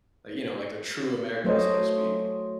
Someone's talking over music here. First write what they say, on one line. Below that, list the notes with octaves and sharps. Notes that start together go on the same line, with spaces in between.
like, you know, like, the true America, so to speak.
F#3 A3 C5 C#5 D#5